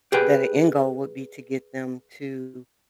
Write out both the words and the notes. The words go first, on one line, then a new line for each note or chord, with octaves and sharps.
that the end goal would be to get them to,
G4 G#4 B4 G5